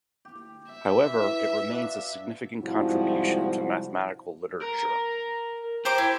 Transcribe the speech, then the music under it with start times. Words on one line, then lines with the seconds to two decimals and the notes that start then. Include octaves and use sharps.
However, it remains a significant contribution to mathematical literature.
0.25 G4
0.71 E5
1.05 E3
1.68 D4 F#4 F5
2.63 G#2 C3 F3 G3 E4 F#4
4.62 A#4
5.85 G4 C5 A#5 D6
5.98 E4